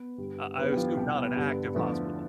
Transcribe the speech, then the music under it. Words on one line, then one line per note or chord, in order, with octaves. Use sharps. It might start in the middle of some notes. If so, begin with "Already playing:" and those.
I I assume not an active hospital.
Already playing: B3 B4
G2 D3 G3
E2 D3 G3 B3 B4
G4
F3 F4
C2 B2 G3 G4
B3 B4
G2 D3 G3
E2 D3 F3 A3